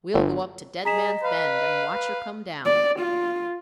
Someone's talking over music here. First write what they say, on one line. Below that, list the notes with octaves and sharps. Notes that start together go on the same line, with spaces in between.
We'll go up to Dead Man's Bend and watch her come down.
G1
G#4 D#5 A#5 B6 E7
B4 F5
B4
D5
F4